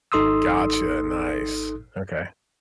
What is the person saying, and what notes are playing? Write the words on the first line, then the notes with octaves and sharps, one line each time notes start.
Gotcha, nice, okay.
G#1 D#4 A4 C6 D#6 E6